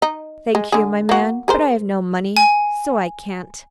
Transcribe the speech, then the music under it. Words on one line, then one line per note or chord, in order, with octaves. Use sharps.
"Thank you, my man; but I have no money; so I can't."
D#4
G#3
D3 G#4
A#3 F#4
G#4 A#4 C5
G#5